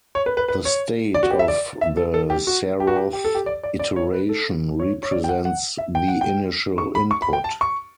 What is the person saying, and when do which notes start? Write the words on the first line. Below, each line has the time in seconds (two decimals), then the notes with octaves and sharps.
The state of the zeroth iteration represents the initial input.
0.15 C#5
0.26 B4
0.37 B4
0.48 B4
0.65 C#5
1.14 D5
1.23 F#4
1.31 G4
1.39 E5
1.48 D5
1.81 E5
1.97 A4
2.14 A4
2.30 G4
2.47 F#4
2.80 G4
2.87 F#4
2.96 G4
3.13 G4
3.25 A4
3.35 G4
3.46 D5
3.63 D5
3.79 D5
3.96 C#5
4.13 B4
4.29 A4
4.80 C#5
5.03 C#5
5.12 D5
5.24 G5
5.29 F#5
5.45 F#5
5.78 E5
5.95 G5
6.08 F#5
6.21 G5
6.78 C#6
6.95 B5
7.11 C#6
7.22 B5
7.33 G5
7.44 A5
7.61 C#6